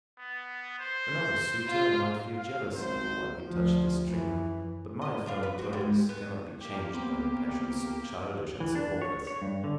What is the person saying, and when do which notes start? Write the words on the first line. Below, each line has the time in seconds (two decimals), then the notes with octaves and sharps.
Another suitor might feel jealousy while he touched this string; but my firm purpose cannot be changed by a passion so childish and so hopeless.
0.18 B3
0.79 C5
1.67 F4
2.36 F5
2.73 G#1 F#3 C5
3.47 D2 F3
4.06 F#2 E3
5.02 F#2 D#5
5.26 F#2 D4 F4
5.43 B4
5.59 C4 F#4
5.73 G#2 G3 G#3
6.09 B3
6.61 A#3 G4
6.94 B3 C4
8.60 E3
8.75 D4
9.02 C#5
9.27 C#5
9.42 G2
9.64 D3